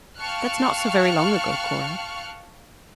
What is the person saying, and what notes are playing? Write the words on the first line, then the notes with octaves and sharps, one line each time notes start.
"That's not so very long ago, Cora."
F5 G5 A5 C#6 F6 F#6